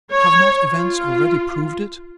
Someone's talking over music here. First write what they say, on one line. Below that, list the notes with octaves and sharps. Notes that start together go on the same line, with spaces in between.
Have not events already proved it?
C#5
F4